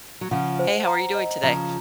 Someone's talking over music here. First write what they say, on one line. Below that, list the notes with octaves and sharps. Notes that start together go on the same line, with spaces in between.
Hey, how are you doing today?
F#3
C#3 F3 F#5
C5
A#5
D#5
C#3 F3 A#5